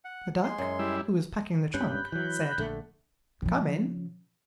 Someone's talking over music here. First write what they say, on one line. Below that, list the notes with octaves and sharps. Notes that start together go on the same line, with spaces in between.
The duck, who was packing the trunk, said, "Come in!"
F#5
G#3 C6
F#2
G3 E4
G1 G2 C#4 B5 F#6 G6
E3 F#3
A#1 D3 A3
C#3 F3